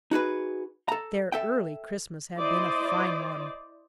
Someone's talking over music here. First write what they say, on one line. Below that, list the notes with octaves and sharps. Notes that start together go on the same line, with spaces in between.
Their early Christmas had been a fine one.
D#4 F#4 G#4 B4
A4 A#5
A4 E5 G5
E4 C5 D5 D#5